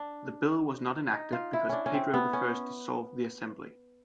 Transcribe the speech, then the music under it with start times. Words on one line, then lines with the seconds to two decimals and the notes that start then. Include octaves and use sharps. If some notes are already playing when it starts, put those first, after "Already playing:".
The bill was not enacted because Pedro the First dissolved the Assembly.
Already playing: D4
1.13 D#4
1.33 F4
1.53 E4
1.69 C#4 D4
1.86 C#4
1.94 C4
2.14 B3
2.33 C#4